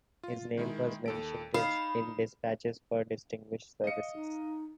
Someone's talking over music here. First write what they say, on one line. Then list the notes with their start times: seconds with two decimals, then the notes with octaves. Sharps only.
His name was mentioned in dispatches for distinguished services.
0.23 F4
0.57 D#3 G#3 E4
1.06 D#2 A4 D7
1.54 D#4 F5 B5
3.84 D#5 F5 C#7
4.15 D#4